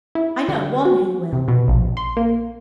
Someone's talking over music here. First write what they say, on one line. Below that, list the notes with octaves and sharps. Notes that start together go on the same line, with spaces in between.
I know one who will.
E4
D3
F#4
C3
B2
A#1
C6
A#3